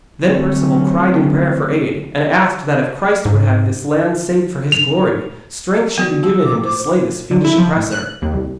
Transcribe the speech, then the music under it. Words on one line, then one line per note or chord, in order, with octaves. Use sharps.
Then Perceval cried in prayer for aid, and asked that if Christ would have this land saved for His glory, strength should be given him to slay this fiendish oppressor.
D3 F#3 A3 C4 C#4
G#2
F7
E3 B3 F#4 D5
F3 E6
D6
C5 D6
D3
E4
F3
A1
F#6
D#2
C2